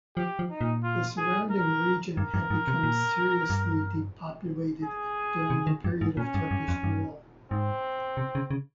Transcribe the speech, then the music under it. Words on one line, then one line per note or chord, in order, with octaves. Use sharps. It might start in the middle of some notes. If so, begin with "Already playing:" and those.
The surrounding region had become seriously depopulated during the period of Turkish rule.
F3 G4
F3
D#4
A#2
F4
G#4
A#4
G2 A#4
G2
G#2
C3
A#2
G2
G#4
C3
D#3
G2
G#2
A#2 C#4
G2
G2
F2
G2
G#2 C4
C3
C#3
C#3